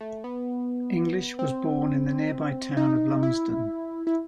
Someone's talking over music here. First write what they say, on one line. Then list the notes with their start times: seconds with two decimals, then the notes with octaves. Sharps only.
English was born in the nearby town of Lumsden.
0.01 A3
0.24 B3
1.39 C4
2.77 D#4
3.23 E4
4.07 E4